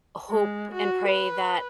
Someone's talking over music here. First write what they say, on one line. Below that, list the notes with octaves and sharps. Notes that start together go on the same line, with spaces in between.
hope and pray that,
G#3
F#4
B4